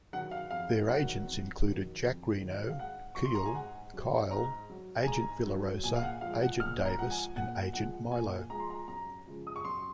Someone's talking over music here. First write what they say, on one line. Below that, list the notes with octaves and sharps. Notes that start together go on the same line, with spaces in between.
Their agents included Jack Reno, Keel, Kyle, Agent Villarosa, Agent Davis and Agent Milo.
D#3 F#3 F#5
F5
F2 F5
D#3 F#3 F#5
F2
D#3 F#3
F2
D#3 F#3
F5
G#2 F#5
F#3 C#6
C6
A#5
G#5
G#2 F#5
F#3
G#2 A#5
F#3
G#5
G#2 A#5
F#3
A#2 G#5
F5
F#5
F3 G#3 F5
F#5
A#2 F6
A#5
F3 G#3 F#5
G#5
A#2 F#5
F3 G#3 F#5
A#2 G#5
F3 G#3 A#5
C6
A#5
F#2 A#5
C#3 F3 G#3
D#6
C#6
F#2 C6